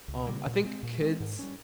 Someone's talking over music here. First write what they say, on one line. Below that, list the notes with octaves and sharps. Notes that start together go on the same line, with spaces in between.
um I think kids
C#2
C#3 G3 A#3
A#2
G#3 C4
A#2
G#3 C4
G#2
G3 C#4